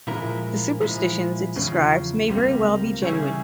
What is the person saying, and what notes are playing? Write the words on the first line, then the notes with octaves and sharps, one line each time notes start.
The superstitions it describes may very well be genuine.
A#2 F3 G#3 E4 A#4
A#2 F3 G#3 E4
E2 C#3 F3
C#2 C3 G3 A#3
C#3 G3 C#4 E4 G#4